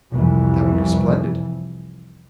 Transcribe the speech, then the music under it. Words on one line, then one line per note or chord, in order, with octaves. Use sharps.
"That would be splendid."
C2 F2 E3